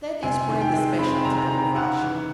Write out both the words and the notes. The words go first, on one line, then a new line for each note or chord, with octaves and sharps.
That is quite a special type of Russian.
C3 G#5
D#3
G5
G#3
C4 B5
C3 A#5
D#3 A#5
C#3 F#5
E3